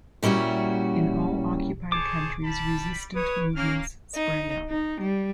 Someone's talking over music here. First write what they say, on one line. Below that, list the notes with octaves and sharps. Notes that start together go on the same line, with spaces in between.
In all occupied countries resistance movements sprang up.
A#2 G3 C#4 E4 F#4
G#4 C5 C#5 A5 D6
G3 A5 B5
B4 C#5 D#6
A#3 C#4 F6
D#4
D#4
G3